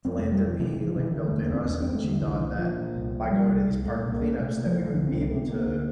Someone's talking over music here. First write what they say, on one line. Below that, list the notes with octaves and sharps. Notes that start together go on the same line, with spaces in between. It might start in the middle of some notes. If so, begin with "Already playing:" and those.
philanthropy, like, built in us, and that she thought that by going to these park cleanups, that we would be able to,
F2 C4
C3 A3
G3
C3 F3
C3 E3
C3 E3
F3
C3 E3
D3 E3
E2 A3
A#3
E2 C4
E2 D4
E2 C4
A3
D3 G3
C2 E3
A#2 E3
A#2 F3
A#2
C2
A#2
A#2 G3
C2
C2
A#2 A3
C2
A#3
A#2
C3 A3
C3
F3
C2
E3
C2 D3
C2 C4
D4
C3 A#3
C4
D2 A#3
D2